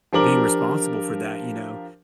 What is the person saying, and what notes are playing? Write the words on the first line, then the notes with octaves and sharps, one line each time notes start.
being responsible for that, you know.
F3 D4 G4 A#4 D6 F#7